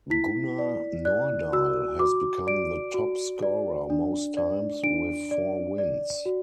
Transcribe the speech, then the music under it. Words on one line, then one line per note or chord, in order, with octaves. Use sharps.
Gunnar Nordahl has become the top scorer most times, with four wins.
E4 B6
D5
D5 F#6
F#4 E6
F#4 D6
D5 D7
F#4
D5
D4
D5
D4 D7
D5
D5
F#4